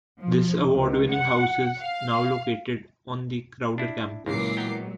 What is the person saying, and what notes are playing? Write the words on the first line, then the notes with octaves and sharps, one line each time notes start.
This award winning house is now located on the Crowder campus.
F3
C#2
F#5
F5
D4 E4
C#2 A#2 E3 F#3 G#3 A#4 D6 C7
B3 G5 A#5